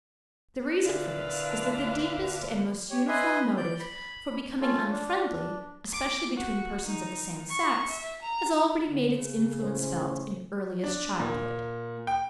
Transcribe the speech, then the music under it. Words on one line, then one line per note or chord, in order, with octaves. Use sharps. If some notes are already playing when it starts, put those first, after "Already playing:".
The reason for this is that the deepest and most uniform motive for becoming unfriendly, especially between persons of the same sex, has already made its influence felt in earliest childhood.
A#2 D3 D4 E4 B4 F5
G4 C#5
B4 D#5 E5 G#5 C6
D5 G6
B5
C#4 F4 A4
D4
D6
F#4
D#4
C#6
E5
A#5
D3
C#3
A2 C#4 C5
D4
A#2
G5